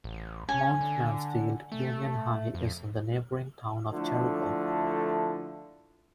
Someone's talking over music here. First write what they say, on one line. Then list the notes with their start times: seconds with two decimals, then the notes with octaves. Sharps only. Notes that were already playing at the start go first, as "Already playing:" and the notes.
Mount Mansfield Union High is in the neighboring town of Jericho.
0.04 A1
0.49 C#4 G#5
0.81 D3
1.72 A3
2.54 F2
3.93 D3 F3 A3 E4